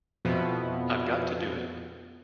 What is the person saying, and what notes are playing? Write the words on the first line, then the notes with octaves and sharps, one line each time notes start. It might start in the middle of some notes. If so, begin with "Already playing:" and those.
I've got to do it.
F2 B2 F3 B3 E4